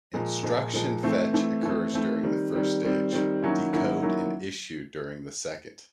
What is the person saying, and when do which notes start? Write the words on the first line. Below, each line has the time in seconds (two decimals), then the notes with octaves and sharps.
Instruction fetch occurs during the first stage, decode and issue during the second.
0.14 A#2 F3 G#3
0.43 A#2 F3 G#3
0.73 A#2 F3 G#3
1.03 E3 A3 C4
1.33 E3 A3 C4
1.63 E3 A3 C4
1.93 E3 A3 C4
2.23 D#3 G3 C4
2.54 D#3 G3 C4
2.83 D#3 G3 C4
3.13 D#3 G3 C4
3.42 D#3 F#3 A#3 C#4 E4
3.73 D#3 F#3 A#3 C#4 E4
4.02 D#3 F#3 A#3 C#4 E4